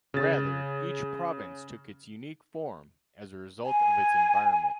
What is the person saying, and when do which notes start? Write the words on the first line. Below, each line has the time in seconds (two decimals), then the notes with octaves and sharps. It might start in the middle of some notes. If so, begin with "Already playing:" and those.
Rather, each province took its unique form as a result of its environment.
0.14 C#3 A6
3.66 G#5